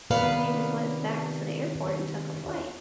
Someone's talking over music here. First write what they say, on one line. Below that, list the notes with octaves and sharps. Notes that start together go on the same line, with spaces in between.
he just went back to the airport and took a flight,
C3 D#3 B3 B4 D5 F5